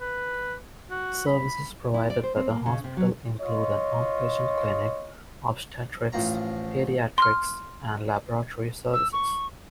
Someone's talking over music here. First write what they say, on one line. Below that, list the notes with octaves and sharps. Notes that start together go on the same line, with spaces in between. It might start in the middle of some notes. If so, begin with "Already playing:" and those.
Services provided by the hospital include an outpatient clinic, obstetrics, pediatrics, and laboratory services.
B4
F#4
B5
E4
D5
C5
C4
A#3
C#3
C3
F#3
F4 C#5 D#5
A1 F3 A#5
C6 F6
E6
C#6